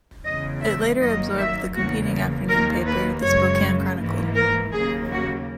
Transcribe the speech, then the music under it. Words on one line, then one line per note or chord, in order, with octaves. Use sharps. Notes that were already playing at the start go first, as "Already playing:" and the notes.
It later absorbed the competing afternoon paper, the Spokane Chronicle.
E2 C#3 G#3 D#5
E5
F#2 D#3 F#3 A#3 D#5
E5
E2 C#3 E3 A#3 F#4
D#2 D#3 A#3 A#4
B4
F#2 C#3 G#3 C#5
G#2 E3 A#3
A#4
D#2 C#3 F#3 A#3 G#4
F#4